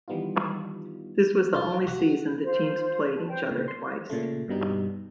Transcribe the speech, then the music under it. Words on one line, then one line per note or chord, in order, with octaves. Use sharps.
This was the only season the teams played each other twice.
D#3 E3 G3 B3 D#4 F4
F4
F#4
F4 C5
B4 A5
C5 G5
A#2 C#3
C6
A#2 C#3 A3
G2 B2 G3 D#4